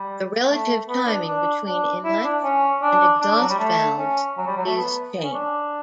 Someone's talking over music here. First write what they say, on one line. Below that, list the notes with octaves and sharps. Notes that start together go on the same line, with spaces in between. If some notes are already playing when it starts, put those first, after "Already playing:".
The relative timing between inlet and exhaust valves is changed.
Already playing: G3
A3
B3
D4
D4
D4
E4
D4
C#4
D4
D4
D4
F#3
G3
A3
C#4
F#3
G3
F#3
A3
B3
C#4
D4